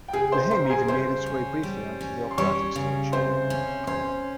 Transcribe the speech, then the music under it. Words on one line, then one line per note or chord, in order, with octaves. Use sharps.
The hymn even made its way briefly onto the operatic stage.
G5
C#3 G#4 G#5
C5 C6
G3 C5 C6
A#5
G#4 G#5
C#3 C5 C6
C#4
G3
C#4
C6
G3 C#5 C#6
C#3
C3 C5 C6
C#4
C#4 C5 C6